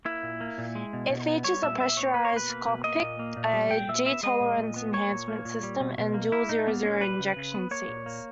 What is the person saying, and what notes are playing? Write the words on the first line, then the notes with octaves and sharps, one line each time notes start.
It features a pressurized cockpit, a G-tolerance enhancement system and dual zero-zero ejection seats.
A#3 E4
A#2
A#3
A#2
G#3
B2
B2
B3
G3 C#5
A#2 E5
A#2 E5
B3 C#5
A#3 B4
C#5
B2 B4
A#3
B2
A#3 D#5
A#2
A#3
A#2
G3
A#2 G5
A#2 E5
B3 E5
G#3 D#5
A#2
A#2
B3
A#3 C#5
A#2
A#3
A#2
G3
B2
B2
A#3
A#3 E4
A#2 D#4
A#3 B3
A#2 C#4
G3 B4
C#3
C#3
B3
A#3 C#5
A#2
A#3